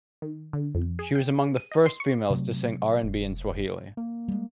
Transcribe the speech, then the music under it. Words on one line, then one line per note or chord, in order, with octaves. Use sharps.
She was among the first females to sing R and B in Swahili.
D#3
D3
F2
G#4
G5
G#4
D#7
D#5
C6
C#6
C3 F#3 A3
F1
A#3
G3 G#3